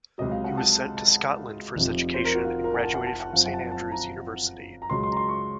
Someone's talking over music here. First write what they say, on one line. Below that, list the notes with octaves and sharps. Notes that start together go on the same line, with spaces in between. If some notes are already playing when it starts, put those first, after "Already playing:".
He was sent to Scotland for his education and graduated from Saint Andrews University.
C#2 C3 F#3 D#5
F5
F#5
A5
A5
F1 F2 C3 F3
C5
A#4
F#4
F4
A#4
F#5
A5
F#5
A5
F#5
F#2 F3 C4 F5
F#5
A5
F#5
A5
A#5
A#5
C#2 C#3 F#3 C6
C6
A#5
C6
C#6